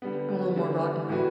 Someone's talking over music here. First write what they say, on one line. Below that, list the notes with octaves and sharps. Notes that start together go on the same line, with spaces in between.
I'm a little more rock and roll.
D3 G3 B3
D3 G3 B3
A2 G3 B3 F#4 B4